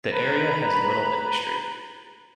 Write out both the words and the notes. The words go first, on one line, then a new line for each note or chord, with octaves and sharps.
The area has little industry.
B4 A#5 B5